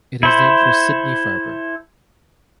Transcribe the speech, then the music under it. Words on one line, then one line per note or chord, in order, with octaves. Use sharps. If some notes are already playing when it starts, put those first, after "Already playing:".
It is named for Sidney Farber.
E4 A4 C5